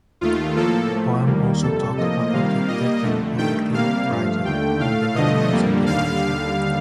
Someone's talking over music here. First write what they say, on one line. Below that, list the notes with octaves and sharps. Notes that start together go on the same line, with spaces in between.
The poem also talk about the Thekkumkur king Raja and developments in the country.
D#2 D#3 A3 F4
A2 F3 A#3 A4
A2 F3 A3
D#2 D#3 G3 A#3
F2 C3 G3 A4
A2 F3 A#3 D#5
C3 D#3 G3 A#3 F5
A#2 G3 A#3 D#5
F2 D3 A3
G2 D#3 A3 G5
C3 G3 A#3 F5
G2 F3 A3 F5
D#2 D3 A3 G5
A2 A3 F5
G2 D3 F3 A3 D#5
F2 D3 G3 A#3
D#2 D3 G3 F5